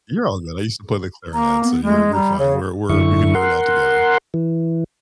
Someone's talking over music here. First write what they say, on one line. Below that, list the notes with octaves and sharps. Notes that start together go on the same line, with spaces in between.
You're all good, I used to play the clarinet, so you're you're fine. We're we're we can nerd out together.
A#3 A#5
B3
G#3 A3
G3 A#5
C#3 C#5
F#2 D3 E4 C#6
A#4 F#5 C6
E3